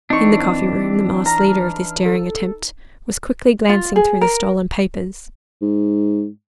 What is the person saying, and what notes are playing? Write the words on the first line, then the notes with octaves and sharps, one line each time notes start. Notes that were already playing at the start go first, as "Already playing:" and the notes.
In the coffee-room the masked leader of this daring attempt was quickly glancing through the stolen papers.
E3 C4 D4 D#4 C#6
A#5 F6
A4
F4
G#4
A#4
G#2